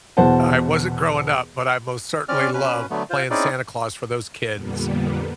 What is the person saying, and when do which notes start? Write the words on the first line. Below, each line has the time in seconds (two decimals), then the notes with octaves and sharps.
I wasn't growing up, but I most certainly loved playing Santa Claus for those kids,
0.17 E2 B2 C5 F#5 A5
2.29 C4 C#4 D5 F6
2.54 B2 C#4 B4
2.90 D3 F#3 A3 B3
3.10 F4 C5
3.30 C4 C#4 D#4 E4 G#4 D5
4.52 F2 A#2 D3 G3 A#3 B3